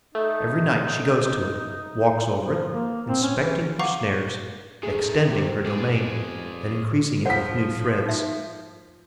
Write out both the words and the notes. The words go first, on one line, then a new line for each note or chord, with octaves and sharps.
Every night she goes to it, walks over it, inspecting her snares, extending her domain and increasing it with new threads.
A3 D#4
F3
A#3
C4
C#4
E3
F5 F#5 A#5 C#6 D6
C3 D#3 A3 G#4
G4 C5
F2 G#4 D5
F3 C5 F#5 B6
D#4 E5